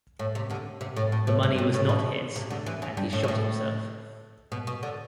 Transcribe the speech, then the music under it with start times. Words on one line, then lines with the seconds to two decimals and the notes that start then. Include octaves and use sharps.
The money was not his, and he shot himself.
0.19 A2
0.35 C3
0.50 D2 D3
0.81 C3
0.96 A2
1.12 A2
1.27 A2
1.43 G2
1.58 A2
1.74 A2
1.89 B2
2.36 C3
2.50 D2 D3
2.66 E2 E3
2.82 E2 E3
2.97 G2 G3
3.13 A2
3.23 B2
3.28 A2
4.52 B2
4.67 B2
4.83 D3